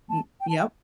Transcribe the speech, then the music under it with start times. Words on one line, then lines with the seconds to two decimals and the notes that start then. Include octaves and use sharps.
Y yep.
0.10 A5
0.41 G5
0.49 A5
0.58 G5